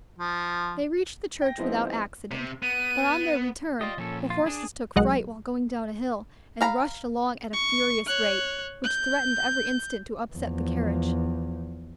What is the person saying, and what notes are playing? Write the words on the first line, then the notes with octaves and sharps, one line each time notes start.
They reached the church without accident, but on their return the horses took fright while going down a hill, and rushed along at a furious rate, which threatened every instant to upset the carriage.
F3
G5 A#6
F3 G#3 B3 C4 D#4 E4
C3
B3 D#7
F4 G4 D5 D#5
A#2 F3 C#4 A4
F4
D4 G#4
B1 B2 G#3 D#5 F#5 F#6
F5 A#5 B5
C#6
C#5 F#6
G6
E2 F3